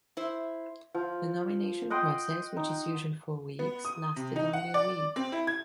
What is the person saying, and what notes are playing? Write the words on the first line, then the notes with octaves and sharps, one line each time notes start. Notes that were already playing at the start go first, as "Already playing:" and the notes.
The nomination process, which is usually four weeks, lasted only a week.
E4 C5
F3
D#5 F#5 G5 C6
D#4
B3
D#6
C3
D#4
F#5
D5
C4
E4
G#6